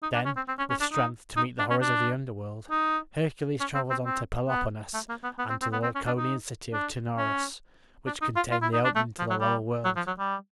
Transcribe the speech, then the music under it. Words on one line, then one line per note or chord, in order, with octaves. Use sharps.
Then, with strength to meet the horrors of the underworld, Hercules traveled on to Peloponnesus, and to the Laconian city of Taenarus, which contained the opening to the lower world.
D#4
D4
C#4
C4
C4
C#4
C#4
D4
D#4
D#4
D4
C#4
D4
D#4
C#4
C4
C4
C4
B3
A3
A#3
B3
B3
C4
C4
B3
C4
C#4
D4
D#4
D4
C#4
D4
D#4
F4
F4
E4
D#4
D4
A3
F3
F#3
G3
F#3
F3
F#3
G3